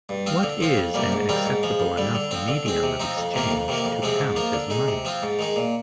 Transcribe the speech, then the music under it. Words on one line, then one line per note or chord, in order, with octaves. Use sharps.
What is an acceptable enough medium of exchange to count as money?
G2
F3 C4 F4
D3
F3 C4 F4
F2
C3 G3 A#3
G#2
D#3 G3 C4 F4
G#2
F3 G#3
F2
D3 G3
D3
F3 C4
D3
G#3 C4
C3
F3 C4 D#4
F2
C3 D#3 A#3 F4
F2
C3 D#3 A#3
F2
C3 F3 G#3 C4
G#2
F3 A#3 F4
D3
G#3 D#4
C3
F3 C4 F4
G#2
D#3 G#3 D#4
A#2